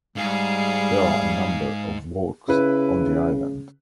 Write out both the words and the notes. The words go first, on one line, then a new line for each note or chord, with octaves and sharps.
There are a number of walks on the island.
G#2 G3 G#4 F5
C#3 E4 B4